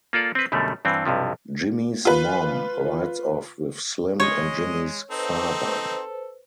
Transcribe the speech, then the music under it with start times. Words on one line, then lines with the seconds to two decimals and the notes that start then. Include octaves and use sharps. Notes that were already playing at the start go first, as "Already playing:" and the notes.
Jimmy's mom rides off with Slim and Jimmy's father.
0.13 A#3 F4 A4 D5
0.35 C4 B4
0.52 F#2 B2 D3 G3 A3
0.85 G2 E3 C4
1.05 B1 G2 C3 F3
2.05 F4 B4
4.20 G#3 C#5 D#5
5.11 C4 D#4 A4 B4 C5